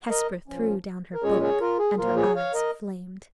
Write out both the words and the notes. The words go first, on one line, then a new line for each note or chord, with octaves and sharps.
Hesper threw down her book, and her eyes flamed.
A#4 D#5
A#2 F3 C#4
A#4
A#2 G#3 C#4 G#4 C#5
G#4 C#5
F4 A#4
G#4
A#2 F3 A#3 F4 A#4
G#4 C#5
C#5 F5
A#4 D#5